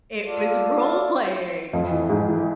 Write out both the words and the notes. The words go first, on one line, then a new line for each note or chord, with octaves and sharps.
It was role playing.
F4 A4 D5 F5
F2 F3
E3
G#2 G#3
E3